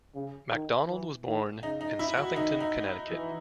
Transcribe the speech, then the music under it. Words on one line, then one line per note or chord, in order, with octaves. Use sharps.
MacDonald was born in Southington, Connecticut.
C#3
D#3
E3
D#3
C#3 D#4
D#4
E4
F#4
D#3 D#4
D#4
E3